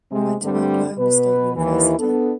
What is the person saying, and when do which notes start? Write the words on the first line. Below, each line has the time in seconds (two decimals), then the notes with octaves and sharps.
He went to Oklahoma State University.
0.12 C3 G#3
0.42 G2 D3 G3 A3 C4 D4
0.98 B2 B4
1.56 D#2 E3
1.99 B3 D4 A4